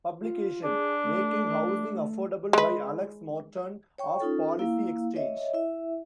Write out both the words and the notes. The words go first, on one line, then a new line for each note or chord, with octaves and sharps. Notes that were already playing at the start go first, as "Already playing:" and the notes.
Publication: Making Housing Affordable by Alex Morton of Policy Exchange.
F4
D4 G#4
A3
G#3 B4
C#5 G5 C#6
C#4 D#4 F4 A4
A#3 E4 F5
C#5 D#5 E5
E4 E5